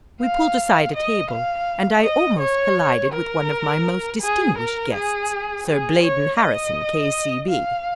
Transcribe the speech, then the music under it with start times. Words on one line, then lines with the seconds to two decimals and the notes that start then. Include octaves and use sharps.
We pulled aside a table and I almost collided with one of my most distinguished guests--Sir Blaydon Harrison, K.C.B.
0.22 F5
0.94 D#5
1.30 F5
2.03 D#5
2.40 C#5
3.12 A#4
4.21 G#4
4.58 A#4
4.94 G#4
5.67 G#4
6.03 C#5
6.40 D#5
7.50 F5